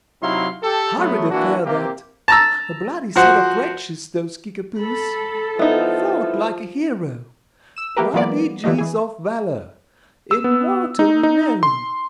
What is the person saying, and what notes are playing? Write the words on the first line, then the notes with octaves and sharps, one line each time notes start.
Horrid affair that!--a bloody set of wretches, those Kickapoos!--fought like a hero--prodigies of valor--immortal renown.
C3 F#3 D#4 E4 F5 C6
G4 A4
F#3 A3 B3
E3 A#3 D4 F#4
C3 A#3 G4
A5 A#5 E6
F3 F#4 C5 F#5
A4 B5
F3 B3 D#4 E4
E6 E7
A3 A#3 G4 A#4 B4
E3 F#3 G#3 A#3 B3 D5
E3 F3 G3 A3 D#4
E3 G#4
E6
B3
D#4
D#4
C6